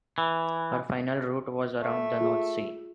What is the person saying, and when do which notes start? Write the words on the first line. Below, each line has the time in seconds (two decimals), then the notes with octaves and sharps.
Her final route was around the North Sea.
0.18 E3
1.81 A3 E5
2.20 F4 G#4